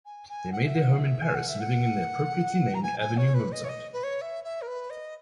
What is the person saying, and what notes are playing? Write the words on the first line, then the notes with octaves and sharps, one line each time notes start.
They made their home in Paris, living in the appropriately named Avenue Mozart.
G#5
G#5
F#5
E5
F#5
E5
G#5
F#5
E5
F#5
A#5
G#5
G#5
C#5
B4
D#5
C#5
D#5
B4
C#5
E5
E5
A#4
B4
D#5